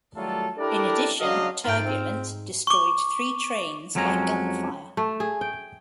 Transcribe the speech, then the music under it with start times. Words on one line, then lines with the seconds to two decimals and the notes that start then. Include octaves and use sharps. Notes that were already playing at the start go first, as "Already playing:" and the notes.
In addition "Turbulent" destroyed three trains by gun fire.
0.16 D#3 F#3 G3 A3 F4 A4
0.57 D4 E4 G4 A4 A#4 D5
1.19 C#3 F#3 D4 F#4 D#5 F5
1.64 G#2 D#4 F4 A#4 F5 G5
1.85 C4
2.67 C#6 D6
3.95 F2 F#3 G#3 C#4 A#5
4.97 A3
5.20 G#4
5.41 G5